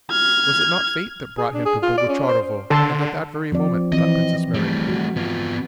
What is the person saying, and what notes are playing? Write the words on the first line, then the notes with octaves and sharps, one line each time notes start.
"Was it not fate that brought him to Bogucharovo, and at that very moment?" thought Princess Mary.
F6 G#6
G#4
D4
G#4
F4
D5
C#4
C5
D3 A4 A5 C6
F3 C4 D5
E3 C4 D#5
G3 A3
F#4
B3 F4